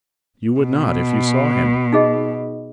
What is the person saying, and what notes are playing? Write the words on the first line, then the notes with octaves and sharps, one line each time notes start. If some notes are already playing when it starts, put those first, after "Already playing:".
You would not if you saw him.
B2
D#4 G#4 D#5